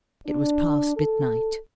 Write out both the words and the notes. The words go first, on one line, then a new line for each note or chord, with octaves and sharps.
It was past midnight.
D4
A4